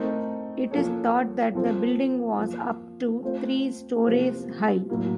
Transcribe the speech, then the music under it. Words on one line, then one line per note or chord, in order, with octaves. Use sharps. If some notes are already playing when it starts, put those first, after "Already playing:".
It is thought that the building was up to three storeys high.
Already playing: A3 C4 D#4 A#4
F3 A#3 C#4 A4 C#5
F3 C4 F4 A4
F3 A#3 F4
A3 C4 F4 C5
C3 F3 A#3 F4 C5
A2 F#3 A#3